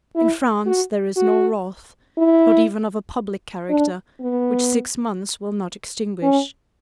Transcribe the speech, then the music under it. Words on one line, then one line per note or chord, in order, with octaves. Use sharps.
In France, there is no wrath, not even of a public character, which six months will not extinguish.
E4
F#4
F#4
E4
D4
B3
C#4